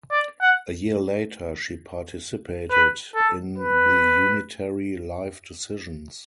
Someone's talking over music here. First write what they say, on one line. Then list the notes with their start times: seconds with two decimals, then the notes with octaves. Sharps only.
A year later she participated in the Unitary Life Decisions.
0.11 D5
0.41 F#5
2.71 B4
3.15 A4
3.58 B4